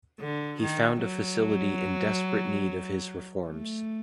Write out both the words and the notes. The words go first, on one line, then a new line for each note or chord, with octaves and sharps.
He found a facility in desperate need of his reforms.
D3
D#3
F#3
A3